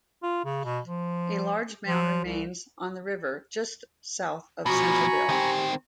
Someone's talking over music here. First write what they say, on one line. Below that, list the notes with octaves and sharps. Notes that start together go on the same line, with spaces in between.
A large mound remains on the river, just south of Centerville.
F4
C#3
B2
F3
F3
C2
B2 F3 F#4 G#5 A#5 B5 C#6
D#3 C4 G4